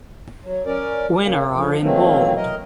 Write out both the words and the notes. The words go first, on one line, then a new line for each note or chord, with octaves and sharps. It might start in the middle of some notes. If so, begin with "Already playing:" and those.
Winner are in Bold.
F#3
C#4 A#4 D5
C#3 A#3
D3 F3
D#3 E3 F#3 A3 A#3 C4
A#4 D#5